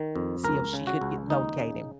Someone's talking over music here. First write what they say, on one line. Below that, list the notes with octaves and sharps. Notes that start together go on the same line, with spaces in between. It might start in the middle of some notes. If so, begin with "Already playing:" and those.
see if she could g locate him.
Already playing: D#3
F2
C#2 A#4
C#3
F#4
C#2
D#2 D#4
C#3